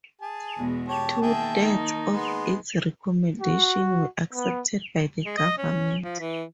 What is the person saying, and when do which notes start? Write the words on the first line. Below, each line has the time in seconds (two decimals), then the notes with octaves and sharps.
Two thirds of its recommendations were accepted by the government.
0.21 G#4 A5
0.57 E2 B2 G#3
0.88 G4 C#5 A5
1.22 D#3 A#3 G#4 E5 G5
1.62 D#4
2.13 G#3 B3 C6
3.41 F#4
4.33 B3
5.26 G#3
5.37 D#5
5.58 C#4
6.03 F3
6.20 E3